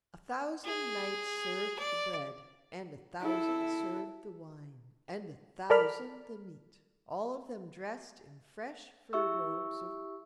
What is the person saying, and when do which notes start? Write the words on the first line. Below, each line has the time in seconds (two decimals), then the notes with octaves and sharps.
A thousand knights served the bread, and a thousand served the wine, and a thousand the meat--all of them dressed in fresh fur robes of ermine.
0.65 G#4
1.80 D5
3.21 E4 A4
5.70 A4 A#4 D5 B5 F6
9.13 E4 G4 E5 C#6 E6